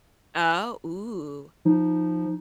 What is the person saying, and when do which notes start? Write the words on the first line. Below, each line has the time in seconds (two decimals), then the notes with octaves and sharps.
Oh Ooh.
1.65 F3 D#4